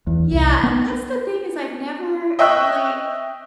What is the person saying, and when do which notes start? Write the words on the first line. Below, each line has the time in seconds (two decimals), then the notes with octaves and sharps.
Yeah, and that's the thing is I've never really
0.07 E2
0.32 C2
0.63 B3
2.39 D#5 E5 G5 C#6 E6 F#6